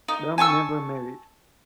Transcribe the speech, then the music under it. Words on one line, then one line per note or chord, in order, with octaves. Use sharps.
Dumm never married.
D#4
G#5 A5 C#6 E6